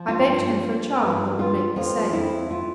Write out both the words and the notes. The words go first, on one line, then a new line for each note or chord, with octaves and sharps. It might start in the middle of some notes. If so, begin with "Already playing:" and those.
I begged him for a charm that would make me safe.
Already playing: F3
F4
G2
A#3
G2
G2 F4
F2 F4
F2 E4
F4